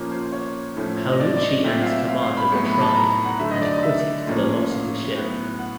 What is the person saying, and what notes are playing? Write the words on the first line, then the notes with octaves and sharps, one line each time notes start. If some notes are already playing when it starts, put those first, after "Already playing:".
Paulucci and his commander were tried and acquitted for the loss of the ship.
Already playing: A#2 F3 A#3 C#4
C5
C#5
A2 F3 A3 C#4
D#5
D5
D5
D#5
A#2 F#3 A3 C4 E5
F5
E5
E5
F5
F5
B5
A2 F#3 B3
B5
A5
B5
A#5
F#5
D3 F#3 A3 E5
D#5
D5
D#5
E5
A2 F3 A#3 C#4
F5
A2 F#3 B3
F#5